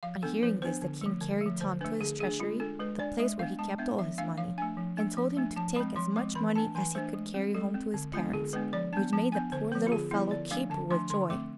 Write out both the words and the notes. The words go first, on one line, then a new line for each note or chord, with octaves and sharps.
On hearing this the King carried Tom to his treasury, the place where he kept all his money, and told him to take as much money as he could carry home to his parents, which made the poor little fellow caper with joy.
F3 F5
B3 D4 A4
F3 B4
B3 D4 C5
D3
F3 A3
D3
F3 A3
D3 C5
A3 D4 B4
D3 G#4
A3 D4 G#4
G#3 F4
D4 A4
G#3 B4
D4 D5
G#3 E5
B3 D4 F5
G#3 A5
B3 D4 E5
F3 E5
A3 D4 F5
F3 F5
A3 D4 G#5
F3
A3 D4
F3
A3 D4
F3 A5
G#3 C4 B5
F3 C6
G#3 C4 D6
E3 B5
A3 D4 A5
E3 G#5
A3 D4 C5
G#3
C4
G#3 A4
C4
D3
G#3 B3 D4 F4
D3 G#4
G#3 B3 D4 B4
F3 D5
B3 D4 A5
F3 A5
B3 D4 G#5
D3 C5
F3 B3 B4
F4
D3 G#4
F3 B3 E4
D3 D5
F3 A3 D4 F5
D3 A5
F3 A3 D4 C6
D3 C6
A3 C4 D6